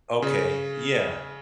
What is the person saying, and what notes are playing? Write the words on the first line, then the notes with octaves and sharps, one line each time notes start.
Okay, yeah.
C#3